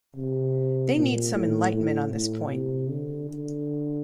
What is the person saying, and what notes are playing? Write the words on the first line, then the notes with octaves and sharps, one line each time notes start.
They need some enlightenment on this point.
C3
A#2
A2
A2
A2
C3
D3
D3